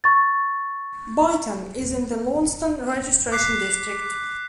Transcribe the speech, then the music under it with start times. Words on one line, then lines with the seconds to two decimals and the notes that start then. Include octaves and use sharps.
Boyton is in the Launceston Registration District.
0.04 C#6 A6
3.32 D6 F#6 B6 C7